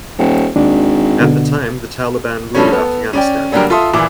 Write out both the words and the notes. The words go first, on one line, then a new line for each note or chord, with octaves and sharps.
At the time, the Taliban ruled Afghanistan.
D#1
G#1 D#2 D4
B2 D3
G2 F3 G3 A3 C#4 C#5
B3 A4
C#4 D5 G5
D3 F#3 G3 A#3 G4 A#4
F4 A4 E5 C6 D#6
D#1 A#2 E3 E4 D6